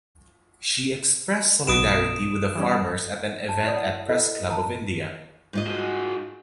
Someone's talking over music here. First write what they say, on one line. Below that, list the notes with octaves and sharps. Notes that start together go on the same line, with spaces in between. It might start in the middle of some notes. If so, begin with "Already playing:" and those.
She expressed solidarity with the farmers at an event at Press Club of India.
B1 B2 B3 D#6 D7 E7
E3 G3 C#4
A5
E4 C#5 D5 D#6
F#5
E4 A4 C5 D#5
A5 A#5
G#2 F4 D#5
F#4 G#4